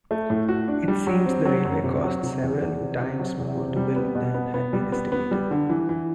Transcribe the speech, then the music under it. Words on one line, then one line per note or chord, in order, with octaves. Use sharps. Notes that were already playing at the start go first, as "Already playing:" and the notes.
It seems the railway cost several times more to build than had been estimated.
A3
A2
F#4
D4
G3
F#3
C4
F#3
F#2
C3
F#3
C3
E2
E2
C3
C3
F#3
E2
C3
G3
B3
B2
B3
B3
G3
B3
B3
G3
D3
E3
E3